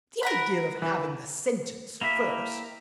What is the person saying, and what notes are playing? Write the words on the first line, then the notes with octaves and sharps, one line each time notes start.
'The idea of having the sentence first!'
A#4 F#5 B5
E3
A#3 E4 G4 E5